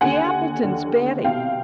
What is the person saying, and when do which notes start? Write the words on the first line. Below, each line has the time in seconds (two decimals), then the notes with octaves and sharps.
The Appletons' Betty.
0.01 D#2 D3 F#5 G#5
0.63 D#2 D3
1.24 C2 B2 F5 G5